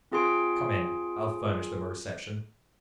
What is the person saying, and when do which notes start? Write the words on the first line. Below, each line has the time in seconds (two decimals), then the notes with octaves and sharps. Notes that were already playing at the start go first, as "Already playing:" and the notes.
Come in; I'll furnish them a reception.
0.11 C4 F4 G#4 G#5 C6 D7